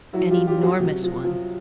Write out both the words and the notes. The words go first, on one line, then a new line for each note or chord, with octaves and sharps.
"An enormous one."
F#3 E4 F#4
F4 G4
F#3
F4 G4
F#3
F#4 G#4
C3
F3
F3